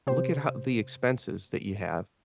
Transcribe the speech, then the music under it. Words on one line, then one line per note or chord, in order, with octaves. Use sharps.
look at how the expenses that you have
C3 G4 C5